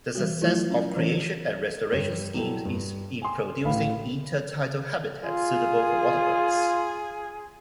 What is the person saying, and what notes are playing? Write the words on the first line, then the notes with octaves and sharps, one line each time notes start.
The success of creation and restoration schemes in producing intertidal habitat suitable for waterbirds.
E3 G3 F#4
F3 F#3 A3 E4 F4
C#4
E3 C#4 A#4 C#5
G2 C#5 E7
F#3 G3 E4 A4
G2
G#5 C6
A1 E3 E4 F5 B5
F4 G#4